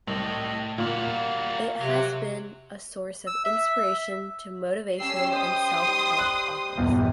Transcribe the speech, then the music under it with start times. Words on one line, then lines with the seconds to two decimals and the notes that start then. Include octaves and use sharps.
It has been a source of inspiration to motivational and self-help authors.
0.07 C2 A2 D#5 E6
0.78 A#2 G3 A#3 F#4
1.81 C3 F#3
3.27 E6
3.45 E5
5.00 G3 C#4 A5 E6 C7
5.32 C5 D#5 G5 C6 D#6
5.84 G3 D#4 G5
6.19 F#6
6.77 A#1 E2 G2